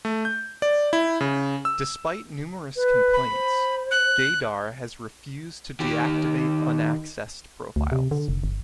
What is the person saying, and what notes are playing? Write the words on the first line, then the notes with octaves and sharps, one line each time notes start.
Despite numerous complaints, Gaydar has refused to deactivate unaccessed profiles.
A3
G6
D5
E4
C#3
E6
B4
B5
C5
F#6
D#3 G4
D2
C3
D3
F1
G1